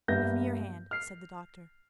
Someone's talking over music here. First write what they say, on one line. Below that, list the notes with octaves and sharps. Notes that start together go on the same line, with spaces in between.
"Give me your hand," said the doctor.
G2 A#3 B3 E5 G6 A#6
F6 C7